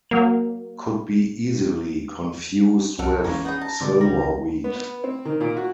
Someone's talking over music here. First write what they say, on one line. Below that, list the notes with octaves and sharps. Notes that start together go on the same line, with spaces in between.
Could be easily confused with silverweed.
F#3 A#3
C2 F#4 A4 F6 D7
G#1 E2 E3 A#3 C#4 C#5
B3 D#4 G#4
A5 A#5
G#2 B2 D3 C4 D5
C#2 G3 A#5
B3
B3
C4
D#3
A#2
F#4